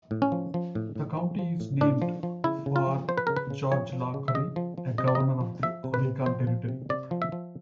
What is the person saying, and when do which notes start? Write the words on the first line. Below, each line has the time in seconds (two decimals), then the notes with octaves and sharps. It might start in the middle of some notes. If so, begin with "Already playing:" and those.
The county is named for George Law Curry, a governor of the Oregon Territory.
0.11 A2
0.22 C#4
0.32 F3
0.54 F3
0.75 A2
0.95 A2
1.17 F3
1.39 F3
1.60 A2
1.81 A2 D4
2.02 F3
2.23 F3
2.44 C#3 E4
2.66 C#3
2.76 F4
2.87 F3
3.08 F3 C5
3.18 B4
3.27 C#3 A#4
3.37 B4
3.50 C#3
3.72 F3 C#5
3.93 F3
4.14 C#3
4.28 E5
4.35 C#3 D#5
4.56 F3
4.78 F3
4.98 C3 D#5
5.08 D5
5.15 D#5
5.20 C3
5.41 F3
5.63 F3 E5
5.84 C3
5.94 B4
6.05 C3
6.26 F3 C5
6.47 F3
6.69 C3
6.89 C3 D5
7.11 F3
7.22 E5
7.32 F3